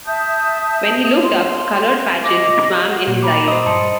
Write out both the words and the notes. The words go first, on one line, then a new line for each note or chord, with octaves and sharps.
When he looked up, coloured patches swam in his eyes.
E5 A5 D#6 G6
C6
D#5 D6
F#5
A#2
A#5 B5 D6
C5 D#5
G2 A5 C6 C#7